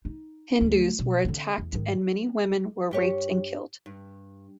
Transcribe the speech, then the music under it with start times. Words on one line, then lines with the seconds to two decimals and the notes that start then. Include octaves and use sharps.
Hindus were attacked and many women were raped and killed.
0.05 D#4
0.61 D2 D#3
0.99 B2
1.25 D3 C4
1.58 E2
1.73 G#2 D#3
2.91 G2 G4 C#5
3.86 G2